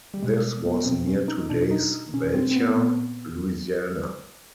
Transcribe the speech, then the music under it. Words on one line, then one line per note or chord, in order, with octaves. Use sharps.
This was near today's Belcher, Louisiana.
G3
B2 G#3
B3
B2 C4
C#4
D#4
B2 D4
D#4
B2 C#4
C4
C4
B3
A#2 B3